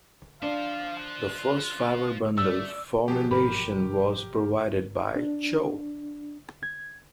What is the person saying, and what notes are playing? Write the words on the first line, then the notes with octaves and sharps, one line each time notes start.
The first fiber bundle formulation was provided by Cho.
D4 F4 C5 F5
F#6
A3 D5 E6
B2 F3 F#3 G4 G#4 A5
G1 G#2 G4 A#4 B5
D4
G#6